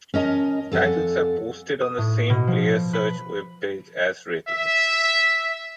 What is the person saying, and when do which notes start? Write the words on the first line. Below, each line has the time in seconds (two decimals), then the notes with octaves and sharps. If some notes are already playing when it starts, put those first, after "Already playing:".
Titles are posted on the same Player Search web page as ratings.
0.14 C#4 A#4 D#5 A5
0.72 F2 A4 F#5 G#5
1.81 D#6
1.98 A2
2.30 B2
2.47 F3
2.93 B4
4.48 E5